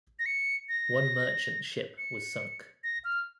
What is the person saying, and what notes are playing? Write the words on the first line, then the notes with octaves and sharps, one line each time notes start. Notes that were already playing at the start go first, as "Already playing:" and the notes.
One merchant ship was sunk.
A#6
C#7
A#6
C#7
A#6
F6